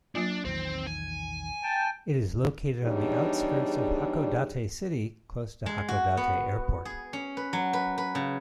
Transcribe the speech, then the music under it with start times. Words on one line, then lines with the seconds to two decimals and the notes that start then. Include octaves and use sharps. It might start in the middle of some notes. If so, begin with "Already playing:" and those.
It is located on the outskirts of Hakodate city close to Hakodate Airport.
0.15 F#3 A#3 D4 F4
0.45 A#1 E2 D#3 C4
0.87 G#5
1.63 G5 A5
2.83 E2 G3 D4 D#4 G#4 C#5
5.66 G#3
5.88 F#4
6.17 B3
6.85 G#4
7.13 C#4
7.37 B4
7.53 F#3
7.73 B4
7.98 B4
8.15 C#3